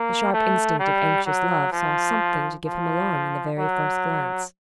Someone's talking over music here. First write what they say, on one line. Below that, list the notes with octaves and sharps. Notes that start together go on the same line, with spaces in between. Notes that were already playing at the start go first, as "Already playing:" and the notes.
The sharp instinct of anxious love saw something to give him alarm in the very first glance.
Already playing: A#3
A3
G3
F#3
F3
F3
F#3